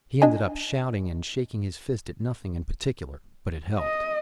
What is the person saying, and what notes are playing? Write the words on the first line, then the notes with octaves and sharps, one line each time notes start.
He ended up shouting and shaking his fist at nothing in particular, but it helped.
D4 D#5 G#5
D#5